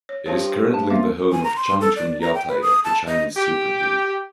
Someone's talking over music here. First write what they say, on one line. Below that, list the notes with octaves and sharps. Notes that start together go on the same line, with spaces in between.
It is currently the home of Changchun Yatai of the Chinese Super League.
C#5
G2 F3 C5 C#5 A5 A#5
A3 A5
A#3 C4 F4 E5
G#5
A#5
C6
A4
D5
A#5
G5
B4
D#6
A5
D#5
G4